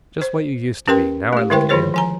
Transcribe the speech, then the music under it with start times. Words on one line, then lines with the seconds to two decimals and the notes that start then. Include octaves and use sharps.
Just what you used to be, now I look at you!
0.22 C5
0.88 C#4 G4 A#4 B4 G5 C6
1.33 A3 G4
1.50 D3 G#3 E4 A#4 C5 G5
1.69 D#3 F3 F4 G#4 C5 C#5
1.94 F3 G#5 A#5